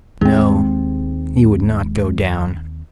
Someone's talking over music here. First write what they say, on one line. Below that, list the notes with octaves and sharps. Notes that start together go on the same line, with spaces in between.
No, he would not go down.
D#2 G#3 C4